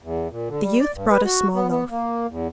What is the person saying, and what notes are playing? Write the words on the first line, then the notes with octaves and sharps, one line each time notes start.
The youth brought a small loaf.
E2
A#2
D3
G3
D5
G2
B4
F#4
B3
B3
A#3
E2